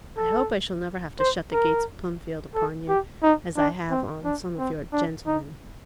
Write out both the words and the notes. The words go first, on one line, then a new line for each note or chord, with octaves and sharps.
I hope I shall never have to shut the gates of Plumfield upon you, as I have on some of your "gentlemen".
A4
C5
A#4
A4
G4
D#4
D4
C4
D4
C4
D4
D#4